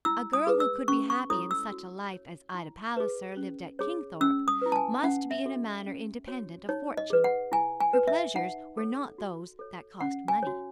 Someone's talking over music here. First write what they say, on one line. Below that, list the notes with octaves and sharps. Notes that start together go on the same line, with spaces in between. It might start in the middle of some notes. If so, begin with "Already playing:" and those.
A girl who could be happy in such a life as Ida Palliser lived at Kingthorpe must be in a manner independent of fortune; her pleasures were not those that cost money.
E4 E6
D#6
G#4 B4
E6
C#4 C#6
C#6
E4 A4 C#5 D#6
E6
F#4
C#5
E4
G#4 B4
C#4
G#4 C#5
C#4 E6
D#6
E4 B4
A5
G#5
C#4 F#5
E5
F#4 A4
C#4
F#4 C#5
D#4 C#5
D#5
G#4 B4
F#5
E4 G#5
G#5
B4
E5
D#4 F#5
A4 C#5
F#4
A4 C#5
C#4 F#5
G#5
F#4 C#5